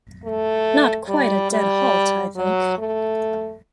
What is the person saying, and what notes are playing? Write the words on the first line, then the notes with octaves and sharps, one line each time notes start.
Not quite a dead halt, I think.
A3
G3
G3
F#3
A3